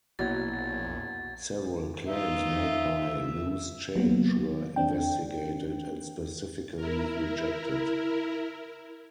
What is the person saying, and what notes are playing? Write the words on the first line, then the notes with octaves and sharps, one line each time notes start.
Several claims made by "Loose Change" were investigated and specifically rejected.
A#1 B2 F#3 A#3 E4 G#6 A6
D#4 F4 E5
F#3 A#3 B3
C4 D4 G5
E4 A#4